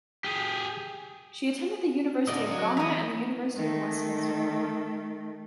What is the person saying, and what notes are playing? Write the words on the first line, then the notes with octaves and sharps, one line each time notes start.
She attended the University of Ghana and the University of Westminster.
G4 G#4
A2 D3 D5 D#5
F#3
E2 A#5 D#6
D#3 A3